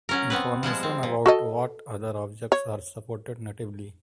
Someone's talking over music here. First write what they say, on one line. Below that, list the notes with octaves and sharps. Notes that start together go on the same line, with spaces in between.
Information about what other objects are supported natively.
F#3 C#4 A#4
B3 C4 B4
F3 G3 G#3 A5
C4
A#2
F#4 A4 D#5
C#5